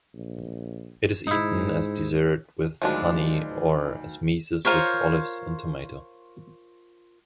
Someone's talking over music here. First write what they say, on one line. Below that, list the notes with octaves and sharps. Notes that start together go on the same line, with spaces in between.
It is eaten as dessert with honey or as mezes with olives and tomato.
A#1
G#2 D#4 E4
D2 D#3 F3 F#3 G#3 D4
F4 A#4 C5 C#5